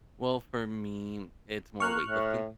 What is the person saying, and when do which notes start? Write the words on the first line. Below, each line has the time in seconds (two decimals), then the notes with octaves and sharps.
Well, for me, it's more weightlifting.
1.80 A#3 C#6 F6 F#6
2.03 A2